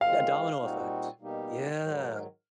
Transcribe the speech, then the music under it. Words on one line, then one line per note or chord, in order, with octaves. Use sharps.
a domino effect. Yeah.
D#3 G#3 C4 F4 F5
A#2 G3 C4 D#4 F#4
B2 G3 A#3 D#4 G4
G#2 D#3 F#3